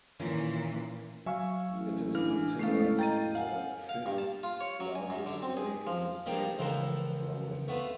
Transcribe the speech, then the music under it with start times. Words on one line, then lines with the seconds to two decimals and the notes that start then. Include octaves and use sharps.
It is considered the fifth largest lake in the state of Florida.
0.20 A#2 D#3 E3 C#4 F4
1.26 F#3 E5 F5 G#5 C#6
1.71 A1
2.15 E3 D4 G#5 F6
2.59 A2 G#3 A3 B3 C#4 A4 F5
2.99 D#5 G5 A#5 A6 D#7
3.35 F5 F#5 G#5
3.89 F5
4.06 G2
4.18 A5
4.43 F4
4.60 C#5
4.80 F#3
4.95 G#5
5.10 F#2
5.26 D3
5.42 C4
5.57 G#4
5.87 F3
6.26 F3 G3 A#3 D4 D#4 F5
6.59 C#2 E3 F3 A4 A#4 C5
7.68 A3 B3 F4 B4